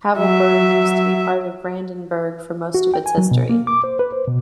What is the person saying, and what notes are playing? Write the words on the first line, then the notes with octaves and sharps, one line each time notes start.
Havelberg used to be part of Brandenburg for most of its history.
F#3 E5
F#4
G5
G#5
F#3
B2
A#3
D6
C5
B4
C5
B2